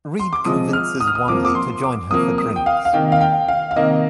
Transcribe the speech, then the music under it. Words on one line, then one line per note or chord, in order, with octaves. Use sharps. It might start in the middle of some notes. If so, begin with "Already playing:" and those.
Reed convinces Wanley to join her for drinks.
C6
D6
C3 F3 G#3 D#6
F6
D#6
F6
D#6
C3 F3 A#3 D6
D6
C6
D6
C3 F3 A#3 D#6
D#6
G5
F5
F5
C3 D#3 A#3 G5
F5
G5
F5
F5
C3 D#3 A#3 D#5